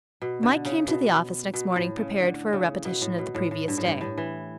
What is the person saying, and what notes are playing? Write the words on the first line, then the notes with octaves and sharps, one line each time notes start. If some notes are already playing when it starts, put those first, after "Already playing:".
Mike came to the office next morning prepared for a repetition of the previous day.
B2
D3
C#3
B2
B2
A2
C#3
D3
C#3
B2
A2
B2
A2
A2
G2
A2
G2
A2
E3